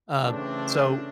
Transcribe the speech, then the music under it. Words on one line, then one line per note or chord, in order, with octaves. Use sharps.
Uh, so,
C#3 E3 A3 C4 D4